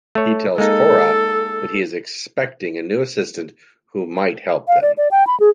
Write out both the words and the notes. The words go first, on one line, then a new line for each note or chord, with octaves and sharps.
He tells Cora that he is expecting a new assistant who might help them.
A3 C#5
G#3 A#3 D#4 A4
F5
D5
D5
G5
B5
G#4